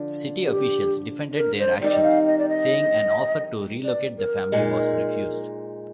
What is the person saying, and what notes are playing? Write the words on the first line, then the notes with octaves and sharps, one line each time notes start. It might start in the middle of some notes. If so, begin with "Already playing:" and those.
City officials defended their actions, saying an offer to relocate the family was refused.
Already playing: D3 F3 D4
G#4
G4
A#4
C5
D#3 G3 C4 D#4 D5
F5
D#5
D5
D#5
D5
A#4
A#2 G#3 D#4